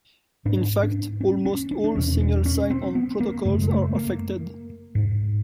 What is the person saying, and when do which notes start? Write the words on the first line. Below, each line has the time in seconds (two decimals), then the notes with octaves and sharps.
In fact, almost all Single sign-on protocols are affected.
0.45 G#2 D4
0.83 D4
1.21 C#4
1.45 C#4
1.71 D4
1.84 D4
1.95 E2 B2 C#4
2.20 D4
2.45 C#4
2.70 C4
2.95 B3
3.20 A#3
3.45 F#2 C#3 A3
3.62 G#3
3.70 A3
3.95 A#3
4.95 G#2